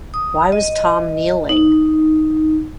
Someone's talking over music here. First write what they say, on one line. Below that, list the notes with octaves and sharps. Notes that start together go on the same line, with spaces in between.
Why was Tom kneeling?
D#6
D#5
D#4